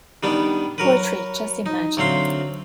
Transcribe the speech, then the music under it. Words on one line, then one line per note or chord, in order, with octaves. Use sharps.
Poetry, just imagine!
D#3 G3 B3 D4
F#3 A#4 B4
D#4
D2 F#3 C4 F5 C6